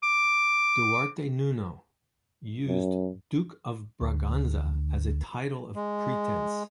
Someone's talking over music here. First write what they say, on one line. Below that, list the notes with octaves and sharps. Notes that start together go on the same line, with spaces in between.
Duarte Nuno used "Duke of Braganza" as a title of pretense.
D6
F#2
D2
G#3